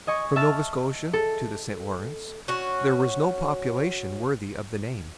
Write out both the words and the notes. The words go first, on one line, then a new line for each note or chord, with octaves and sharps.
From Nova Scotia to the St. Lawrence, there was no population worthy of the name.
D#5 G#5 C#6
E5 A5 F6
A4
C#4 F#4